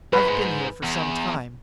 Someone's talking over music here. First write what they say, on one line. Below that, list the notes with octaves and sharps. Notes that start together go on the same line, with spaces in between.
I've been here for some time.
G#2 B4
F#2
G#2
E2